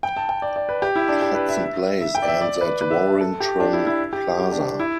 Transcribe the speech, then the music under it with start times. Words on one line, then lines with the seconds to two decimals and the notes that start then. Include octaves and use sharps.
Hudson Place ends at Warringtron Plaza.
0.03 G5
0.17 A5
0.29 G5
0.42 D5
0.56 D5
0.69 B4
0.82 G4
0.96 E4
1.09 D4
1.22 G4
1.35 B4
1.49 E5
2.01 E5
2.15 G5
2.22 D5
2.28 E5
2.41 D5
2.61 B4
2.81 B4
2.90 E5
3.21 A4
3.40 G4
3.60 D4
3.73 E4
3.86 E4
4.13 G4
4.40 G4
4.52 D4
4.79 E4